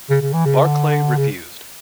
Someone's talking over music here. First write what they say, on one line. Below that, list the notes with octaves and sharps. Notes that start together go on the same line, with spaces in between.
Barclay refused.
C#3
C#3
E3
C#3
D3
C#3